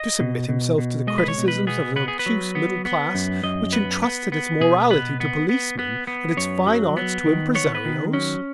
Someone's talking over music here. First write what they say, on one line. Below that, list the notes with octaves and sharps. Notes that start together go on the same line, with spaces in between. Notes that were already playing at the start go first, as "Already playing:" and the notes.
To submit himself to the criticisms of an obtuse middle class which entrusted its morality to policemen and its fine arts to impresarios?
Already playing: D#5
B2
B2
B2
G#3 D#5
B4
C#5
B2
B4
B3 G#4
B3 B4
G#4
B4
F#3
B3
B3
F#2
F#2 D#5
B3 B4
B3
B3
B2 G#4
B3 B4
B3
B3
B3
B3
F#2 C#5
F#3
B3
D#3
B3 C#5
B4
D#3
F#3 C#4